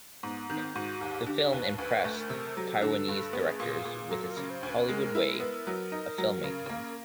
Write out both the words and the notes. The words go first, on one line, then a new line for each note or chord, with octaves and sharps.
The film impressed Taiwanese directors with its "Hollywood way" of filmmaking.
G#2 B3
D#3 C4
B3
C4
G#2 F#4
D#2 G4
D3 G4
D#2 B4
D2 B4
A3
A#4
C3
F#3 A4
D3
G2
B3 G#4
A#2
A#2
F#3 A4
A#4
C#3
C5
D2
B4
G#3 A#4
E4
A#4
B3
F#3
D#4
F#3
C#3
A#3